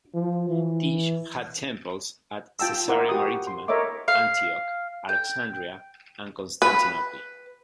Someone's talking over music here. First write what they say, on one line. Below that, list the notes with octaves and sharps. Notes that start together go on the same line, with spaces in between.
Tyche had temples at Caesarea Maritima, Antioch, Alexandria and Constantinople.
F3
E3
F4 G5 A5 E6
E4 A#4 C5 F#5 C6 D6
F#4 G4 D#6
C6
A4 A#4 C#5 D#5 E5 D6
F5
G5
B4